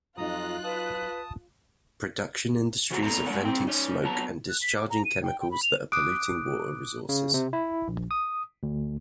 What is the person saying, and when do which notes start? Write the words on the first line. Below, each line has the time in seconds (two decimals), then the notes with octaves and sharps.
Production industries are venting smoke and discharging chemicals that are polluting water resources.
0.18 F2 F#3 D#4 F4 A#5 D#6 F#6
0.64 B4 A5 D#6
2.91 C#3 A3 F#4 B4 F#5 A#5
3.03 A#2 A3 B3 A#5
3.27 G#3 B3 D4 A#4 D5 F#5
3.45 G2 C4 G5
3.67 C#4 D#4
4.03 F#3 B3 A5 A#5
4.49 F#6
4.62 B6
4.76 D6
4.90 A#5
5.05 D#7
5.23 G5
5.40 G5
5.51 B5
5.63 F7
5.92 D6 D#6 F#6 D7
7.09 C#3
7.34 C3
7.53 E4
7.88 A#1
8.11 D#6
8.63 D2